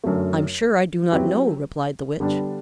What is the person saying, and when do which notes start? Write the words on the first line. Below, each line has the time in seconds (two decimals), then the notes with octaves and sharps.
"I'm sure I do not know," replied the Witch.
0.04 F#2 D3 F#3 A3
1.12 F#3 C4 E4 G4 B4
2.20 D3 G3 B3 D4